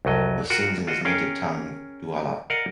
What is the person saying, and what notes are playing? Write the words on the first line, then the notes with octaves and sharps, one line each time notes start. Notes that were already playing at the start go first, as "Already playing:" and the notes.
He sings in his native tongue, Duala.
C2 F2 F#3 D#5
F4 F#4 A#4 F#5 G5
F4 F#4 D#5
C#4 G#4 A#4 F5 G5
A#4 D5 D#5 F5 F#5